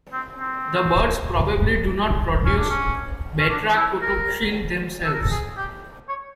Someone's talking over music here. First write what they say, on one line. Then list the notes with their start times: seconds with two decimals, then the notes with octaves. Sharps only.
The birds probably do not produce batrachotoxin themselves.
0.13 C4
0.39 C4
2.45 C#4
2.58 D4
2.70 C#4
3.39 C#4
3.49 D4
3.76 E4
4.01 A#4
5.05 A4
5.14 A#4
5.22 A4
5.31 G#4
5.57 G4
6.09 C#5